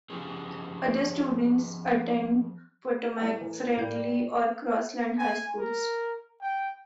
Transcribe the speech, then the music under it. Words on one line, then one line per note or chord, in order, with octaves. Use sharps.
Other students attend Potomac, Friendly, or Crossland high schools.
F3 C#4 G4 G#4
A2 G3 B3 A#4
E3
A2 G3 G6
G#5
A#4
G5